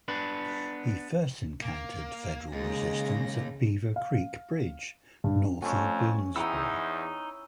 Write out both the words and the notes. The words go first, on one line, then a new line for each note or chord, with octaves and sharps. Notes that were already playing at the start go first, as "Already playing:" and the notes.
He first encountered Federal resistance at Beaver Creek Bridge, north of Boonsboro.
B3 D4 B4
A#3
D#2 C#3 G#3 A#6
F5
G2
F2 A3 C#4 G#5
E2 D#4 E4 F#5 G5 A#5 E6